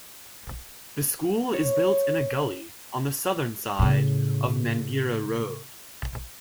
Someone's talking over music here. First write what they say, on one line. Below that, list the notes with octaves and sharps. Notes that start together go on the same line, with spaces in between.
The school is built in a gully on the southern side of Mangere Road.
C#5
A2 C#3